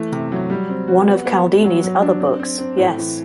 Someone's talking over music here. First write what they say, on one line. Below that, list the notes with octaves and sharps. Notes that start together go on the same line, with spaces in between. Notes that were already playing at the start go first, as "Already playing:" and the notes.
One of Cialdini's other books, Yes!
Already playing: E3 A3
C3
F#3
G3
C4
F#4
B3
B3
B3
F#3
F#3
D4
C4
C4
C4
A2
E3